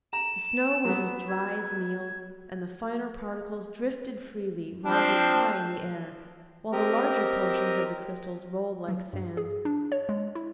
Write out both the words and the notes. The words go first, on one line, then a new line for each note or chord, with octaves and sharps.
The snow was as dry as meal, and the finer particles drifted freely, rising high in the air, while the larger portions of the crystals rolled like sand.
A#5 E7
F#3 B3
G#6
F3 C4 D4
C4 G4 A#4 D#5 A#5
F#3
G2
G#4
D4
C#5
G#3
E4